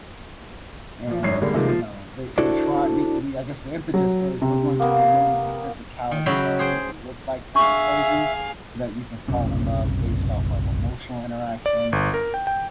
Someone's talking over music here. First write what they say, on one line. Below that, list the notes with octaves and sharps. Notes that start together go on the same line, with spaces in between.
and, eh, you know, they they try the the I guess the impetus is, "We're going to remove the physicality of what you look like from the equation so that you can fall in love based off of emotional interactions and
A#2 F3
G#1 F#2 C#5 C7
D3 G3 G#3 A#3
C3 D#3 F3 G#3 A#3 A4
F3
D4 E4 F#4 A4 C5 D5
F#3
C3
A#3 B3
D#3
C#3 F#3 F#4 E5 G5 B5
G#4 C5 G5
D4 G#4 E5 F5 C#6
F#1 B1 C3 C#4
D5
G1
A#4
G5
G5